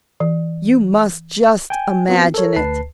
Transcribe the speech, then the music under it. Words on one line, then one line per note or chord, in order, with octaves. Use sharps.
You must just imagine it.
E3
G5 G#5
B3 C4 F4 F#4
A4 A#4 C#5
D2 B4 A5 C7